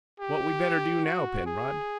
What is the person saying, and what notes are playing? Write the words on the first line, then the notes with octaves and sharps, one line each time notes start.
"What we better do now, Penrod?"
G4
F#4
G#4